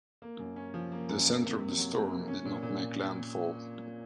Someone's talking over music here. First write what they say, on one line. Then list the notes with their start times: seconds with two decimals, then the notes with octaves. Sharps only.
The center of the storm did not make landfall.
0.22 A#3
0.39 F#2
0.56 C#4
0.74 F3
0.92 A#3
1.09 F#2
1.26 A#3
1.42 C3
1.59 C3
1.77 F#3
1.94 A#3
2.11 C3
2.28 C#4
2.45 A#2
2.62 A#2